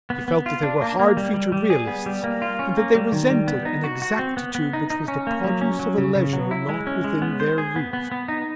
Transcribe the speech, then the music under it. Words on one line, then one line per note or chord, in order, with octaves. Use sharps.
He felt that they were hard-featured realists and that they resented an exactitude which was the produce of a leisure not within their reach.
B3
B3
F4
D4
A#3
A#3
G3
G3
G3
G#4
B3
G3
A#3
F4
C#4
A#3
G3
D#3
G3
B3
D#4
F#4
F#4
C4
B3
B3
D#4
D#4
C#4
A#3
F#3
C#4
F#3
C#3
C#3
F#3
E4
G#3
C#4
G#3
B3
C5
G#4
B3
B3
B3
D#4